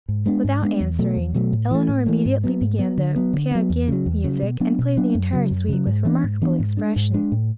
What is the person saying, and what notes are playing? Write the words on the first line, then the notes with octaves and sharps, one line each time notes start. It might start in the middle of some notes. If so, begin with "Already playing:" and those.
Without answering, Eleanor immediately began the "Peer Gynt" music and played the entire suite with remarkable expression.
G#2
G#3 B3 D4
G#2
G#3 B3 D4
E2
B2 F#3 A3
E2
B2 F#3 A3
A2
E3 A3
A2
E3 A3
G#2
F#3 B3
G#2
F#3 B3
D3
F#3 B3
D3
F#3 B3
E2
C#3 F#3
E2
C#3 F#3
B2
F#3 B3 D4
B2
F#3 B3 D4
F#2
C#3 F#3
F#2
C#3 F#3
G#2
E3 B3 D4
G#2
E3 B3 D4
G#2
G#3 D4
G#2
G#3 D4
A2